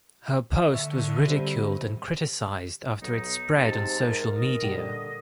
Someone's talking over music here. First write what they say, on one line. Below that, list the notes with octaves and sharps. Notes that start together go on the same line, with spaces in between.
Her post was ridiculed and criticized after it spread on social media.
D3 E5 C#6 E6
G3 C4
B1 D#4
G#2 C3 A5
A#4
D#5
A#2 D3 G3